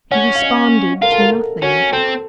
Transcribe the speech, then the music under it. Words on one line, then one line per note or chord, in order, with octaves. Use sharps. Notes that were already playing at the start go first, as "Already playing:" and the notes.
He responded to nothing.
C#4 F#5
F5
D#5
F4 A#4
A4
A#4
A4
C#4 F#4
C4 A4